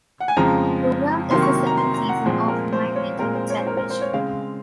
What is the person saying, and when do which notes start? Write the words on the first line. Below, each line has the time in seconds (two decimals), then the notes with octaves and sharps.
The program is the second season of "My Little Television".
0.20 F#5
0.28 G#5
0.36 F2 C#3 F3 G#3 A#5
1.31 C3 D#3 F#3 A#3 C6
1.42 C#6
1.67 A#5
1.77 C6
1.94 A#5
2.09 F#5
2.25 A#2 F3 G#3 C4
2.48 A#4
2.73 C5
2.96 C#5
3.19 A#2 G#3 C4 A#4
3.35 C5
3.50 C#5
3.58 C5
3.67 A#4
3.77 A#4
3.90 C5
4.02 C#5
4.13 C#3 G#3 C4 F5